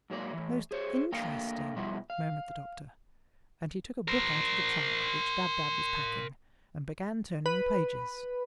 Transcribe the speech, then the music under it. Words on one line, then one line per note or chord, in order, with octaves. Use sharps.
"Most interesting!" murmured the Doctor; and he took a book out of the trunk which Dab-Dab was packing and began turning the pages.
G#2 F#3 A#3 D5
A2 E3
G#4 C5 C#5
A3 A#3 D4 A#4 F5 G5
B2 F3 G3 E4 F#4
F5
A#4 C5
B4